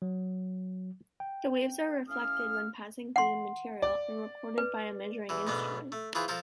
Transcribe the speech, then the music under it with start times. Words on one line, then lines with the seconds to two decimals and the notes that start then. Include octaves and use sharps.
The waves are reflected when passing through the material and recorded by a measuring instrument.
0.02 F#3
1.20 G5
2.07 A2 C#4 F5 D#6 F6
3.16 F#5 C6
3.82 D5
4.58 B4
5.29 E2 E3
5.47 G#2 B2 A3 B3 D4
5.92 A3
6.15 E3 F4 G#4 B4 C5
6.28 F3 A4 A#4 C5